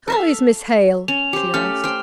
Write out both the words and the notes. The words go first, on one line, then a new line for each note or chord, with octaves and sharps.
'How is Miss Hale?' she asked.
A4 E5 F5
C#4 F7
G4 C5
A3 C#4 G4 F6
C5 G5 F6